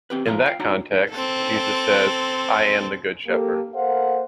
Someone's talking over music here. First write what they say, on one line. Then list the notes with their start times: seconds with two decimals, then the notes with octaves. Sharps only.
In that context, Jesus says, I am the good shepherd.
0.10 C4 G4 B4
0.25 F3 F4 B4 F5 A#5
0.46 F5 G5
0.60 D4 D#4 F#4 C#5 A#5
1.11 C4 A4
3.27 A#3 G4 A4
3.74 A#3 A4 A#4 C5 F5 F#5